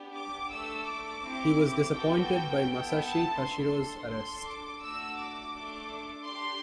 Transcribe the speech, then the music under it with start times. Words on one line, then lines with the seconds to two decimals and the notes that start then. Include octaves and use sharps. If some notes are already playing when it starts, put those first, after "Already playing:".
He was disappointed by Masashi Tashiro's arrest.
Already playing: B3 D4 G4
0.13 D6
0.49 A3 D4 A4 E6
0.86 D6
1.22 C4 E4 G4
1.93 B3 F#4 A4 G5
2.66 B3 E4 A4
3.01 A5
3.37 D4 A4 C6
4.09 D4 A4 C6
4.45 D6
4.81 A3 D4 F#4 E6
5.17 D6
5.53 A3 D4 A4
6.25 D4 G4 C6